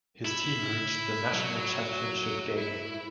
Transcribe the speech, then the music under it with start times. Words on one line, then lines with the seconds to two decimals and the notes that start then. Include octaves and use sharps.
His team reached the national championship game.
0.25 E4
1.33 F#3
2.57 E4